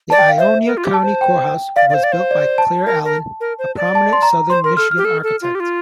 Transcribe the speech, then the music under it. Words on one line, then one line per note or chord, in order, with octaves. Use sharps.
The Ionia County Courthouse was built by Claire Allen, a prominent southern Michigan architect.
D5 A5
G5
F5
C5 E5
A#4
F4
G4
A5
C5
G5
D5 F5
D5
C5
D5
C5
D5
A5
A#4
A#4
A#4
C5
D5
A5
C6
A#5
C5 C6
A#4 C6
A4 F6
F6
G4
A4
A4
F4
G4
F4